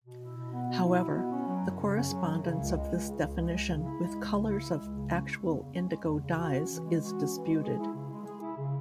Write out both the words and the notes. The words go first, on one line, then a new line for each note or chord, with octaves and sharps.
However, the correspondence of this definition with colors of actual indigo dyes is disputed.
B2
E4
B2
B3
B2
E4
B2
B3
C#4
F#3
F#2
C#3
C#4
F#3
F#2
C#3
C#2
G#3
C#2
C#3
C#2
G#3
C#2
C#3
E4
G#3
C#2
C#3
E4
G#3
C#2
C#3
C#4
G#3
E2
C#3
C#4
G#3
E2
C#3
F#4
C#4
E3
G#3
F#4
C#4
E3
G#3
G#4
E4
C#3
G#3
G#4
E4
C#3